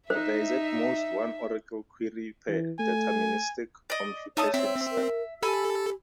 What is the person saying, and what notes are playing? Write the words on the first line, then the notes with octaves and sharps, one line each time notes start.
There is at most one oracle query per deterministic computation step.
D#4 C5 E5
E3
A3 G#5
D5 D#5
A3 D#4 C#5 A5 D#6
C4 E5
A#4
G4 A4 G#5 B5 E6